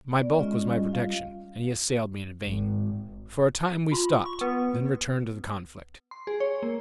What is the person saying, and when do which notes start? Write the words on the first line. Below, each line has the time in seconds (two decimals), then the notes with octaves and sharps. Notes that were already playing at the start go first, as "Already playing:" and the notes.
My bulk was my protection, and he assailed me in vain. For a time we stopped, then returned to the conflict.
0.20 B3 D5
0.39 G#3 C#4 F4 D#5
0.70 G3
0.89 F4 F5
2.44 G#1
3.92 F4 B5 C6
4.26 C#6
4.41 B3 B4
6.11 C6
6.27 G#4
6.40 C#5
6.63 A#3